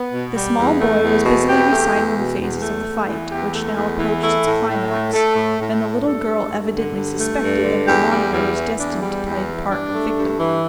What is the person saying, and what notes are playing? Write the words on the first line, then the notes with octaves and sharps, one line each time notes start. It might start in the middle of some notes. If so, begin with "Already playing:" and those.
The small boy was busily reciting the phases of the fight, which now approached its climax, and the little girl evidently suspected that her monitor was destined to play the part of victim.
Already playing: B3
B2
G3
E2
A3
E2
B2
E2 G4
A3
E2
B2
E2
A3
E2
E3
E2 G4
A3
E2
E3
A3 E4
A2
A2
A3
A3 A4
A2
A2
A3
G2 A4
A3
G2
D3
G2
A3
G2
D3
E2 G4
G3
E2
E3
E2 D4
G3
E2
E3
G2 D4
A3
G2
E3